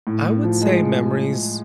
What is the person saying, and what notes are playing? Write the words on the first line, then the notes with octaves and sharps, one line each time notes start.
I would say memories
A2
A2
F3
G#3